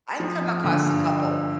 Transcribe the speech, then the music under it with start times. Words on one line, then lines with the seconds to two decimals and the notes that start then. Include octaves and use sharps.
I've come across a couple,
0.20 F3
0.42 F3
0.64 D3
0.86 G2